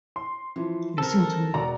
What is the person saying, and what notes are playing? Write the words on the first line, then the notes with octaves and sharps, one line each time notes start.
Listen to me!
C6
E3 F3
C4 A4 A#4
E1 F#4 D5 A#5